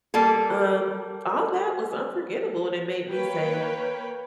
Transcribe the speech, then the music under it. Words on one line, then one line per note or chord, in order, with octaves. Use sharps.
um, all that was unforgettable and it made me say,
G3 A#3 A4
A#3 A#4 B4 C#5 G5 B5